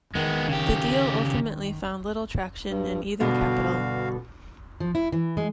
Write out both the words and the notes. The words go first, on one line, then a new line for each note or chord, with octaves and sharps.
The deal ultimately found little traction in either capital.
D#3 G#3 B3
C#3 G4
G2
G2 B2 D3 F#4 F5
F3
E4
E3
G#3